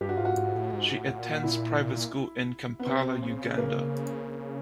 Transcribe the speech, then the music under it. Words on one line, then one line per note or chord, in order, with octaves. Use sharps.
She attends private school in Kampala, Uganda.
G2 G4
F#4
G#2 F4
F#4
G#2
A2
G#2
A2
A#2
E4
B3
C3 C4
C#3
A#3